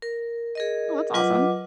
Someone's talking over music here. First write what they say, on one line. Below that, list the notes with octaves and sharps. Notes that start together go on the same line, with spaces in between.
Well, that's awesome.
A#4
G#4 A#4 D#5
F#3 F4 B4 D#5 F#5 D6